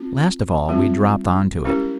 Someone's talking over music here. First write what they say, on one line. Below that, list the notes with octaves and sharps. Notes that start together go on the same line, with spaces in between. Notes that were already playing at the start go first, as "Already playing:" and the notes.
Last of all we dropped on to it.
Already playing: C4 F4
G3 C4 F4
G#3 C#4 E4 G4 A#4